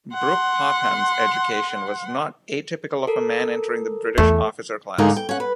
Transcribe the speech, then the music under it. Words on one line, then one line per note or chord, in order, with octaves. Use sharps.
Brooke-Popham's education was not atypical of a man entering the British officer class.
F#5 C6
A4 A#4
E2 A3
G#2 D3 A#3 D#4 G#4 A#4
G5
C#4 F#5
B4